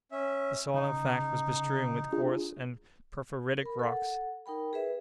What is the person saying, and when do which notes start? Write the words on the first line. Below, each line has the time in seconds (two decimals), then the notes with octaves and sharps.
The soil, in fact, was bestrewn with quartz and porphyritic rocks.
0.12 C#4 E5
0.74 C#3 D#4
2.12 D4 F4 G#4
3.62 A#4 B5
3.79 A4 F#5
4.46 D#4 A#4 G5 B5
4.73 G#4 B4 E5